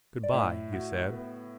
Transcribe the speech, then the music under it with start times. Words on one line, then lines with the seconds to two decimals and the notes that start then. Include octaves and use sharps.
"Good-bye," he said.
0.23 D5
0.32 A2 E5
0.73 F#4
1.12 B3